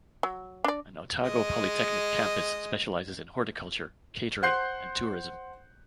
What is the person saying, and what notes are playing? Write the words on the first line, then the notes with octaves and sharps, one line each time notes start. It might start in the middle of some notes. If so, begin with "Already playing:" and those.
An Otago Polytechnic campus specialises in horticulture, catering and tourism.
F#3
D4 D5
G#3 D#5
C5 F#5 C6 F#6 G6 C7